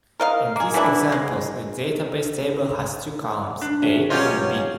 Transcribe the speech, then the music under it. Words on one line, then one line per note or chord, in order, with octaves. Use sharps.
In these examples, the database table has two columns, A and B.
A#4 D#5 F5
A#3 G#4
E3 B3 D4 E4
G#3
D4
G#1 D2 C#4
B1 E2 G3 C#4 F4 G4 C#5 D#5